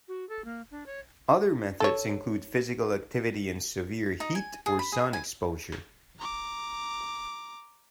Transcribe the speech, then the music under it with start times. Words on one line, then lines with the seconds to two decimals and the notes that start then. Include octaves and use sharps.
Other methods include physical activity in severe heat or sun exposure.
0.08 F#4
0.29 A4
0.44 A#3
0.71 D4
0.86 C#5
1.80 A4 C#5
4.20 D#4
4.35 G#5
4.66 G#4
4.79 B5
4.92 G#4
5.13 G#5
6.19 A#5 D6